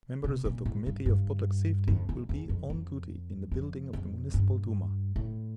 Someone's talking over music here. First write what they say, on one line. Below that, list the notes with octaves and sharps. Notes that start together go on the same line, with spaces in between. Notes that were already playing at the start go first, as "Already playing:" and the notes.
Members of the Committee of Public Safety will be on duty in the building of the Municipal Duma.
C3
A#2
A2
G2
G2
F2
E2
E2
F2
F2
F2
F2
G2
A2